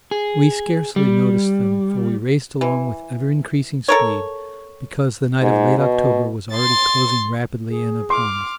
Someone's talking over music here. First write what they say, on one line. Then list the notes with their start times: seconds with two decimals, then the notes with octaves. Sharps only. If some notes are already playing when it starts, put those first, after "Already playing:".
We scarcely noticed them, for we raced along with ever-increasing speed, because the night of late October was already closing rapidly in upon us.
0.11 G#4
0.96 G3
2.61 E3
3.88 A4 A#4 C#5
5.42 G#2
5.78 B2
6.54 C6 A6
7.70 G#4
8.10 C6 D6 F6